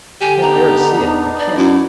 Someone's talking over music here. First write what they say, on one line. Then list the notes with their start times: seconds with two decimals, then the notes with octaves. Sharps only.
I can't bear to see it!--I can't!
0.21 D3 G4 G#5
0.42 B3 D4 D#4 A#5
0.97 E2
1.39 D5
1.58 F#2 E4 F#4